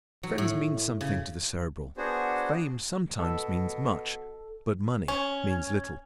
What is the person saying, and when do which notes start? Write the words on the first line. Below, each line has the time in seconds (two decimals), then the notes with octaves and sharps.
Friends mean something to the Cerebral, fame sometimes means much but money means little.
0.23 F#3
0.38 A2
1.01 C#3
1.97 B3 D4 F#4 G#4 C5
3.19 B2 A4
5.08 C#4